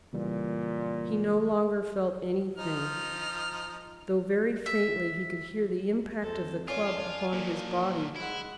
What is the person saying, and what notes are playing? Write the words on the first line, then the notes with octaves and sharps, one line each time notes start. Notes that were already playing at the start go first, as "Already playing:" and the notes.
He no longer felt anything, though very faintly he could hear the impact of the club upon his body.
A#2 C#3 E3 G3
F3 D#4 F6
E5
F2 A4 C5
C#4 D4 F4 F5 G#5
A#2 D#3 A#3
G#3 E4 F#5